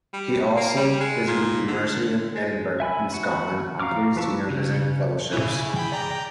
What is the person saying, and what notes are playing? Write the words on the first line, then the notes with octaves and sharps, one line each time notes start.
He also visited the University of Edinburgh in Scotland on three Senior Visiting Fellowships.
G3
A#3
G3
G#3
A#2
D3
G#3
E5 G#5 B5 E6
F#4 B5
F5 A#5 C#6 D6 F6
F3 B4 A5 C#6 E6
C#3
E4 G#4 C#5
G5 B5
D5 G5 A#5